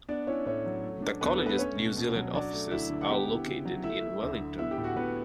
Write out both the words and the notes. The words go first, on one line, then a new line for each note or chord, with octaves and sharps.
The College's New Zealand offices are located in Wellington.
B3 D4 D5
C#4 E4 C#5
A2 C#4 C#5
F#3
A3
D4
D2 B3 B4
A4
D3
B3 B4
A3 C#4 C#5
B2
B2
F#3
F#3 D4 D5
A3
D2 E4 E5
D3
F#5
B3 G4 G5
E4
C#3
F#3
A3 E4 E5
E4
D2
D3
B3 E4 E5
G4 G5
A2
F#4 F#5
A2 B3 B4